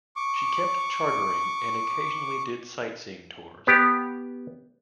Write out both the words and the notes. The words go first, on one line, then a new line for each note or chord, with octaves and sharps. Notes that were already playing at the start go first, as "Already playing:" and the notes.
She kept chartering and occasionally did sightseeing tours.
C#6 D6
B3 G4